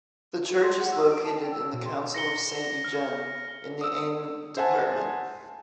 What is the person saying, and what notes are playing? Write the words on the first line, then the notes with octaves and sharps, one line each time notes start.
The church is located in the council of Saint-Eugène, in the Aisne department.
F#4
C6
F#5
E6
D7
A5
G5
E6
B2
C6
A#6 C#7 G7
F6
D#6 E6
C5 E5 F#5 G#5 A5